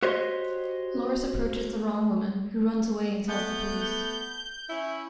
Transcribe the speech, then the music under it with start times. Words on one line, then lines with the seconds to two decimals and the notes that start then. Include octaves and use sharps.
Loris approaches the wrong woman, who runs away and tells the police.
0.03 F#4 G4 C5 C#5 D#5
3.29 A3 B3 G6
4.70 C#4 E4